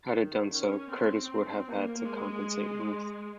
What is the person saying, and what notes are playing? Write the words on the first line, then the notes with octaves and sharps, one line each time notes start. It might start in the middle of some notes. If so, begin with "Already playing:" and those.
Had it done so, Curtiss would have had to compensate Ruth.
D#3
C#4
C4
A#3
G#3